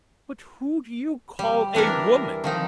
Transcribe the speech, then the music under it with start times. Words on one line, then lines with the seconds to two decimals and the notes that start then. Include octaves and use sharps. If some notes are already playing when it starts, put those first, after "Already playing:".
'But who do you call a woman?
1.39 G3
1.75 E3 D4 E4 A#4
2.44 D#3 F3 D#4